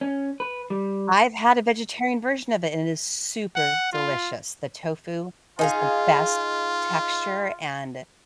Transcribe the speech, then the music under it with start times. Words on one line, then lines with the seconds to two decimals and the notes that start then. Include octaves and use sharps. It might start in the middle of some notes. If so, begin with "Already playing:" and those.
I've had a vegetarian version of it and it is super delicious. The tofu was the best texture and,
0.01 C#4
0.40 B4
0.70 G3
3.56 F#5
3.93 F4
5.59 D#4 F4 G#4 F5